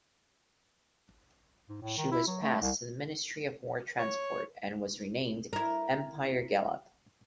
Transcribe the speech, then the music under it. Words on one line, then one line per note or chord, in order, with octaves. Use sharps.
She was passed to the Ministry of War Transport and was renamed "Empire Gallop".
G#2
A2
D#3
E4
F#3
A3
C2
C#5
E4 A#4